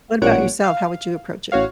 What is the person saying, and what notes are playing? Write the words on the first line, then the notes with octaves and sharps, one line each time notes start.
What about yourself? How would you approach it?
A1 A#2 G3 C#5 F#5 D7
F5
A1 F#4 C#5 F5